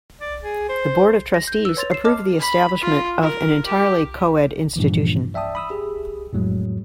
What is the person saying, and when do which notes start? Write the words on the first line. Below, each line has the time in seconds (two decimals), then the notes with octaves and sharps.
The Board of Trustees approved the establishment of an entirely co-ed institution.
0.21 D5
0.42 G#4
0.69 C5
1.34 A#6
1.47 G6
1.65 B4 E6
1.77 C#5 C6 A6 F7
1.91 C7 E7
2.05 D#5 A5 D6 F6
2.38 B5
2.80 F4
3.22 A#4
3.65 G4
4.76 G2 A#2 E3 F3
5.34 D5 E5 G5 A5 D#6
5.55 B5 D#6 E6
5.70 G4 G#4
6.33 F2 A2 F#3 G#3